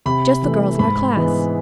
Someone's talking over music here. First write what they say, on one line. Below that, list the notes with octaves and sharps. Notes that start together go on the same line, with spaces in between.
"Just the girls in our class."
C3 B5
E3 A3
G#2 B5
E3 G#3 B3